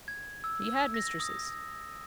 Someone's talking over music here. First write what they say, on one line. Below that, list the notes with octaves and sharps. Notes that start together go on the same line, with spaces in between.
He had mistresses.
G#6
E6
E6
A#6
D#6